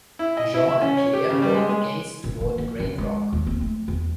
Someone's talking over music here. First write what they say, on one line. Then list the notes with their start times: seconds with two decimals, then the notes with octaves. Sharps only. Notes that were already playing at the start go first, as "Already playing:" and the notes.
Jeanne and Pierre both gazed toward the great rock.
0.19 E4
0.37 D#5
0.54 E4
0.68 E5
0.81 C#4
0.97 C#5
1.13 G4
1.30 C#3
1.42 G3
1.55 G#3
1.69 G#3
2.24 A1
2.41 A#3
2.58 E3
2.80 F#2
2.98 G#3
3.33 D#2
3.47 C4
3.61 A3
3.88 E2